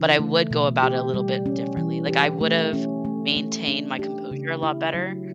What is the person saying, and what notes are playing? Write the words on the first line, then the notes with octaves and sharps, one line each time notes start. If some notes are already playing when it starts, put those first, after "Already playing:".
but I would go about it a little bit differently, like, I would've maintained my composure a lot better,
Already playing: C#3 E3
A3
B2
G4
G3
C#4
E3
G4
A3
C#4
A3
A3
D4
G4
C#3
E4
F#3